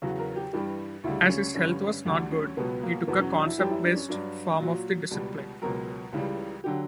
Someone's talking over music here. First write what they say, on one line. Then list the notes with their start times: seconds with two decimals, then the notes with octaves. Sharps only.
As his health was not good, he took a concept-based form of the discipline.
0.02 E2 C#3 F#3 F#4
0.19 A#4
0.36 G4
0.53 G2 E3 G3 G4
1.04 D2 C#3 G3 E4
1.29 C#4
1.54 G2 D3 G3 C#4
2.06 D2 D3 G3 D4
2.31 C#4
2.57 C#2 B2 F#3 B3
2.83 A#3
3.07 E2 B2 F#3 B3
3.20 C#4
3.34 D4
3.46 E4
3.58 F#2 E3 G3 G4
3.71 E4
3.84 D4
3.96 C#4
4.09 G2 F#3 D4
4.60 A#2 F#3 F#4
5.11 C#2 B2 G3
5.62 C#2 B2 F#3 A#4
6.13 C#2 C#3 E3 G3
6.64 D3 F#3 G4